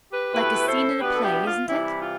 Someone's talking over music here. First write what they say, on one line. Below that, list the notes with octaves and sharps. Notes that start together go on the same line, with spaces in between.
"Like a scene in a play, isn't it?"
G4 B4
B2 A3 E4 G4 B4
A4 C5
B2 B3 D4 G4 B4
A4
E4 G4
F4
C3 E3 G3 E4
F4